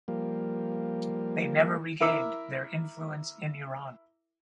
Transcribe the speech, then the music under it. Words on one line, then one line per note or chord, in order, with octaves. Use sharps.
They never regained their influence in Iran.
F3 G3 A#3
E4 A#4 E5 D6 E6